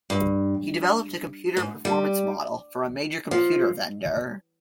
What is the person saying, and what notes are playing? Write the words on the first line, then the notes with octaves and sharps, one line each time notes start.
He developed a computer performance model for a major computer vendor.
G2
G#2
G3
F3